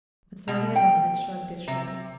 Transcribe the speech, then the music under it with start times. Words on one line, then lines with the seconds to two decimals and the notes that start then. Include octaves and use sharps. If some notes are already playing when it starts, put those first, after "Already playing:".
But Sergey Ivanovitch shrugged his shoulders.
0.48 B2
0.76 G5
1.68 C3